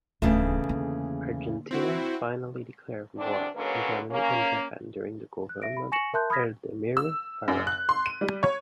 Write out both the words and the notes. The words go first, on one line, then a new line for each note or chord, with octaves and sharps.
Argentina finally declared war on Germany and Japan during the government of Edelmiro Farrell.
D1 E2 C#3 A3 D4
D3 A#3
C4 E4 F#4
E2 B2 C4 D4
D3 F#3 G#3 A#3 C#4 B4
A#3 C#4
F#6
E5 A#6 D7
B5
G#5 C#6 A#6 C#7 E7 F#7
A#4 E5 A5 C6 F#6 G6
B5 D#6 F6 G#6 A#6 B6
E6
F#2
F#6
C6
D#7
G3
C#5